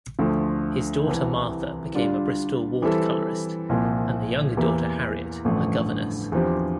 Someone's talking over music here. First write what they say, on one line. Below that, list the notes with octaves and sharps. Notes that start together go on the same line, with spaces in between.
His daughter Martha became a Bristol watercolourist, and the younger daughter Harriet a governess.
D2 D3 F3 A3
C2 C3 E3
D3 G3 D4 F4
E3 G3 C4 E4 A4
C2 A#2 F3
E2 E3 A#3 E4 G4
A1 G2 D3 F3 A3
E2 D3 F3 C4 G4